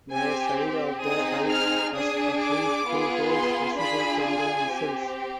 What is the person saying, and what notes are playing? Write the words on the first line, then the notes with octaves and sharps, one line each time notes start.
The side of the hull has at least two holes visible from the missiles.
C4 G4 G#5
C4 D#4 G#4 D#6
F6
D4 G#4 D#6
D6
B3 F4 G#4
C6
D4 F4 G#4 B5
G#5
C4 G4